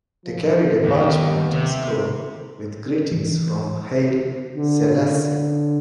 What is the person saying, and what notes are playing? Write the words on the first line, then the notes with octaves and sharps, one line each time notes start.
They carried a parchment scroll with greetings from Haile Selassie.
F3
D#2 B3
C3
E3
D3